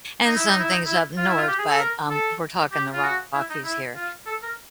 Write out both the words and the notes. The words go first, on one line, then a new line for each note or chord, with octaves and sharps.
and some things up north, but, um, we're talking the Rockies here,
D#4
E4
D#4
E4
D#4
E4
F4
E4
F4
G4
G#4
A4
A#4
A4
G4
F4
F#4
E4
D#4
E4
F4
A4
A#4